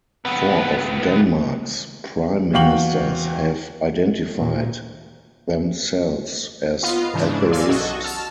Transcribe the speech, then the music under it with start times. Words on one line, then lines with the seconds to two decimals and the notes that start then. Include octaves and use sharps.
Four of Denmark's prime ministers have identified themselves as atheists.
0.25 C#2 B3
2.54 E2 F#4 F5 G5 C#6 F#7
4.38 A#2
6.82 B3 F4 D#5 F5
7.13 G#2 C#3 E3 D4
7.51 D5 F5 G#5 C6 E6
7.68 B1 F#4 A4 D#5 C#6
8.04 A5 E6 F6